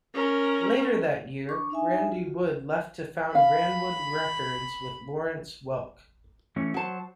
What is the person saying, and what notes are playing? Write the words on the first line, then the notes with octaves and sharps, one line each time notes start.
Later that year, Randy Wood left to found Ranwood Records with Lawrence Welk.
C#4 A#4
D4 C#6 D6
D4 D#4 E5 G#5
F4 F#4
F5 B5
E3 A3 C#4
F#3 F#4 C5 A5